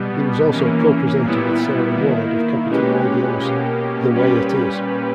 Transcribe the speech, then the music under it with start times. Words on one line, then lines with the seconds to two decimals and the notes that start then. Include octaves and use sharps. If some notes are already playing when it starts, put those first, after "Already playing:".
He was also co-presenter with Sarah Ward of Capital Radio's "The Way It Is".
Already playing: B2 G3 B3
0.50 E3 A#3 C#4
1.22 A#2 G3 B3 E4
1.95 D#3 A#3 E4
2.68 A#2 G#3 C#4 G4 B4
3.40 B2 A#3 C#4 G4
4.13 A#2 G3 C#4 G4 B4